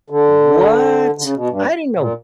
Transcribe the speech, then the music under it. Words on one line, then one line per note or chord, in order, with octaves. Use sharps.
What! I didn't know
D3
D3
C#3
B2
G2
A#2